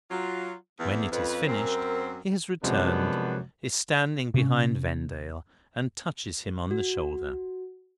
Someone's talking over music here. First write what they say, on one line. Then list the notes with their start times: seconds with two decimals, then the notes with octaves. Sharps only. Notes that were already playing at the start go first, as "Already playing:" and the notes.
When it is finished, he has returned, is standing behind Vendale, and touches him on the shoulder.
0.11 F#3 F4
0.79 E2
1.12 F2 C#4 F4 B4
1.48 F#2 C4 A#4
2.64 F#2 C3 F3 G#3 B3 D4
4.34 C3 C#4
6.71 F#4